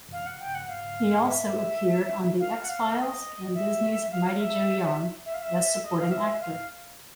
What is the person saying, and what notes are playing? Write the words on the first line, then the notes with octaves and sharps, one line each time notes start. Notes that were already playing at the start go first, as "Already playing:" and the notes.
He also appeared on "The X-Files" and Disneys "Mighty Joe Young" as supporting actor.
F5
F#5
G5
F#5
F5
E5
F5
F#5
F5
D#5
E5
F5
E5
E5
F5
E5
D#5
F5
E5
F5